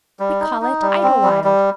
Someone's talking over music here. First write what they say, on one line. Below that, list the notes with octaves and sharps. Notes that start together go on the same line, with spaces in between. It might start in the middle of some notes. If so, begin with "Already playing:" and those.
We call it Idlewild.
G3
D#4
D#4
G3
C4
G3
G3